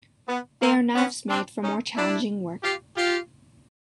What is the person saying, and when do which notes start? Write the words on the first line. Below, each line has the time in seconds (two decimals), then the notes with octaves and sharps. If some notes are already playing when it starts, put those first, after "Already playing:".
They are knives made for more challenging work.
0.28 B3
0.62 A#3 C4
0.96 B3 C#4
1.29 C4 D4
1.63 C#4 D#4
1.96 D4 E4
2.63 F4 G4
2.97 F4 G4